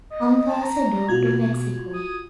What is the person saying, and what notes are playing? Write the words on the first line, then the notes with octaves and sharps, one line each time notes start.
Ambassador to Mexico.
D#5
A5
A#5
B2 F4 F#4 G#6
D#6